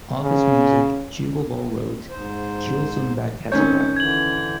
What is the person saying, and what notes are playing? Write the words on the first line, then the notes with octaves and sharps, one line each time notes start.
Of his music, Hugo Ball wrote, Huelsenbeck has arrived.
C#3
G#2 C5
D#3 C4 C#4 C#5 G6
D3 E3 G#6 F#7